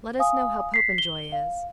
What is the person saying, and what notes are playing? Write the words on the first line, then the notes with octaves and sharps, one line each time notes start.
"Let us know how Popenjoy is."
F5 G#5 D#6
B6 C7
G7
F5